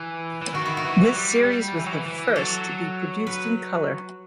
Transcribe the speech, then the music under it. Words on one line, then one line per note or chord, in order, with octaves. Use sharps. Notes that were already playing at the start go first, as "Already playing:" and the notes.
This series was the first to be produced in colour.
Already playing: E3 E4
E3
D#3 F#4
E4
F#4
E3
F#3
G3
G3
E3
F#3
E3
E3
F#3 A4
B4